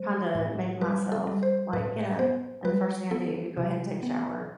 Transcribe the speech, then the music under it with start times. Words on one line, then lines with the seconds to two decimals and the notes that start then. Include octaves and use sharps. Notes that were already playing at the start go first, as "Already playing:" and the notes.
kinda make myself, like, get up, and the first thing I do, go ahead and take a shower
Already playing: G3 C5
0.35 A2
0.81 G3 B4
1.12 A4
1.27 G3
1.43 C5
1.73 A2 B4
2.19 B3 C5
2.65 G3 B4
3.11 B3 A4
3.57 C3
4.03 B3